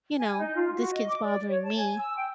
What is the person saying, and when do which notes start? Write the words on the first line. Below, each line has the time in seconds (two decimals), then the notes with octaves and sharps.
you know, this kid's bothering me."
0.18 G#5
0.38 D#4
0.54 F4
0.75 F#4
0.92 D#5
1.07 D6
1.23 D5
1.48 C#5
1.63 A5
1.77 G#5
1.99 E6
2.16 G5